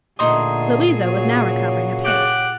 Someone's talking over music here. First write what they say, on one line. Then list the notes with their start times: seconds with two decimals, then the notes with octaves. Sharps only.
Louisa was now recovering apace.
0.19 A#2 D3 A3 D#4 G#4 C6 D#6
1.04 C#3 F#3 F#4
2.05 G4 D5 F#5